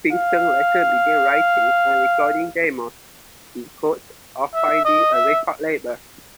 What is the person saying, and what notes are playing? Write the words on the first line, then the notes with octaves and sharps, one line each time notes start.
Simpson later began writing and recording demos, in hopes of finding a record label.
F5
E5
D#5
E5